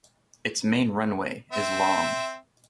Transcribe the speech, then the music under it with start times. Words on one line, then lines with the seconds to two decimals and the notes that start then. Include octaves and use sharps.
Its main runway is long.
1.52 C4 E5